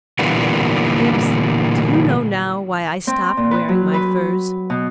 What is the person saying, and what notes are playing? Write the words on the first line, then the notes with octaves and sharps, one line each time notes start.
"Bibbs, do you know now why I stopped wearing my furs?"
A#2 D3 E3 G3 A#3 B3
C4
A#2
B4
F#3
B4
B2